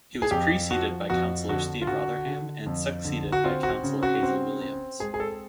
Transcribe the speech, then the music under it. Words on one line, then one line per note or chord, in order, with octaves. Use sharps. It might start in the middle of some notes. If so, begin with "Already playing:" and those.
He was preceded by Councillor Steve Rotherham and succeeded by Councillor Hazel Williams.
G#4
F2 G4
F3 F#4
F2 F#4
D3 F#4
F4
D3 F#4
D3
F2
D3
F#4
C4 F4
F#4
C#3
F#4
C4
C4
G#3 G#4
G#4
A4